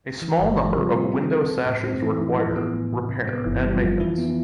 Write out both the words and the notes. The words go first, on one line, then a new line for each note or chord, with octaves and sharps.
A small number of the window sashes require repair and maintenance.
E3
G1
E3
G3
C3 F3
C4
C4
A4
A4
A2
C4
E3 A3
A2 E3
E3 F3
B3
A2
C3
C3
B3
G1 E3
G3
F3
F2
E3 E4
B3
E3